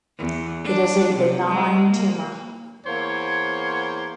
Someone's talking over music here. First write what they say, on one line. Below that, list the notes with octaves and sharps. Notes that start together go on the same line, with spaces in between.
It is a benign tumor.
E2
D4
C3
G#3
A#3
E2 A#3 C5 C#5